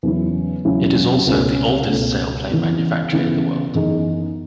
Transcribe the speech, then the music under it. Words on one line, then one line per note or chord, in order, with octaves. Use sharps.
It is also the oldest sailplane manufacturer in the world.
E2 C#3 F#3 C#4 E4
E2 C#3 F#3 C#4 E4
C#2 B2 A3 C#4
C#2 B2 A3 C#4
C#3 E3 B3 E4
C#3 E3 B3 E4
F#2 E3 B3 D#4 G#4